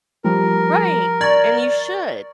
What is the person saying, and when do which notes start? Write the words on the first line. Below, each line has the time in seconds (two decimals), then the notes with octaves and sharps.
Right, and you should.
0.24 F3 G3 A#4
1.21 D5 C#6 G#6